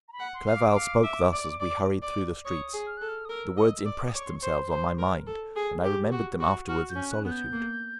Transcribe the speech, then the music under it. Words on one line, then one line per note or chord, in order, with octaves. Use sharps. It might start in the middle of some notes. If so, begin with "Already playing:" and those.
Clerval spoke thus as we hurried through the streets; the words impressed themselves on my mind and I remembered them afterwards in solitude.
A#5
B5
F#5
C6
F5
D6
F5
E5
D5
D5
D5
C#5 D#6
G#4
F6
A4 F#6
F6
D#6
A#4 E6
D#5
D5
D#6
C#5 D6
C6
C#6
C5
C6
C5
C6
A#4
A4
G#4
G4
F#4
F#4
F#4 F6
G6
C#4
F#6
B3 F#6
G6
A#3